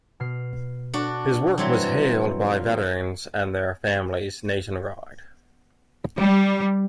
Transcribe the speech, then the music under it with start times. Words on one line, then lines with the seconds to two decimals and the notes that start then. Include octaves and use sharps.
His work was hailed by veterans and their families nationwide.
0.20 B2 F6 C7
0.94 D4 F#4
1.58 E3 F#3 G3 C4
2.59 F4
6.18 G3